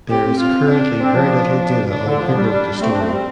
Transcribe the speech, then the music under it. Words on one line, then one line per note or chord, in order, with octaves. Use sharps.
There is currently very little data on who wrote the story.
C4 G4
C4
F4
D4
C4
F3
D4
D3
F3
G3
G3
G3
A3 C4
D4
A3
G3